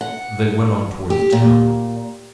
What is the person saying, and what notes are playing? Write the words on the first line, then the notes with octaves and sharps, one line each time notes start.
They went on toward the town.
F#5
G4
A#2